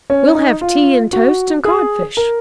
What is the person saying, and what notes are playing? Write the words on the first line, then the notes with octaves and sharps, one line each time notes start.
"We'll have tea and toast and codfish."
C#4
D#4
F4
F#4
G#4
A#4